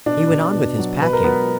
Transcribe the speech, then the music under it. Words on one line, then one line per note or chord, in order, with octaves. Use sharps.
He went on with his packing.
B2 D4
B2
B2
F#3
B2 B4
A#4
F#3 B3 B4